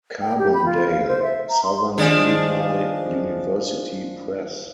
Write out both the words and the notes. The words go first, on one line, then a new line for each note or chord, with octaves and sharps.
Carbondale: Southern Illinois University Press.
G5
G4
B5
F4
F5
C5
E5
A#5
C6
D#3 F3 D4 G#4